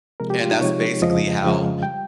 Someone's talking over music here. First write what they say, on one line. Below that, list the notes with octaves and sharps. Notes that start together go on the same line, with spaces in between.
And that's basically how
C3 F3 G#3 A#4
G4
F4
D#4
C3 F3 G#3 C#5
F2 C#3 F3 G#3 D#5
F2 C#3 F3 G#3 F5
G3 G5